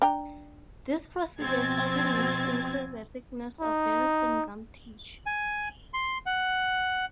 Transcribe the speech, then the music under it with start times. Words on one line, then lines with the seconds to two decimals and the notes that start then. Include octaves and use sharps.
This procedure is often used to increase the thickness of very thin gum tissue.
0.02 D4 G5 A#5
1.42 B2 F3 C4 G#5 G#6 A6
3.61 D#4
5.26 G#5
5.93 C6
6.26 F#5